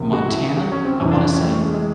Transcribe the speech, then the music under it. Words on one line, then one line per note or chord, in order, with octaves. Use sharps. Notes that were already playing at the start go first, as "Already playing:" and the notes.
Montana, I wanna say,
Already playing: C#2 C3 F3 A#3
F#4
E4
F#4
C#4
C4
F2 C3 E3 C#4
D4
D4
C#4
A3
G#3
G#3